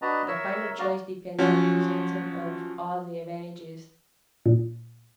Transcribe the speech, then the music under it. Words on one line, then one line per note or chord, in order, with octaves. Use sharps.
The final choice depends on the resultant of all the advantages.
D4 F#4 B4 D#5 A5 A#5
A#4 C#5 E5 E6
F#4 D5 F5 A#5 F6
F3 F#3 C#4 F#4
A#2